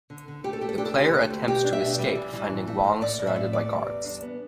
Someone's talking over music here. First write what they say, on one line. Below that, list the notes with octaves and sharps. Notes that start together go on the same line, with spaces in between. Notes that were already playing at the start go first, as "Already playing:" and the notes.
The player attempts to escape, finding Wong surrounded by guards.
D3
D3
A3 G4
A4
A3 G4
A4
D4 G4
A4
D3 G4
A3
D2
B2 G4
D4
E5
B2
G3
E3
E3
A2
A3
A2
A2 D5
A2
E5
A2
E2 D5
G3
E2
D4
B3